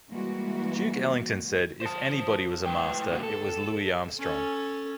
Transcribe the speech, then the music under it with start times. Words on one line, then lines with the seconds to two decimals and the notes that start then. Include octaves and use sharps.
Duke Ellington said, If anybody was a master, it was Louis Armstrong.
0.10 E3 G3 G#3 A#3 F#4
1.81 C5 A5
2.66 A2 B4 G5
3.11 G#2 D3 A#3 F#4 G4
3.23 A4
4.18 C#4 A4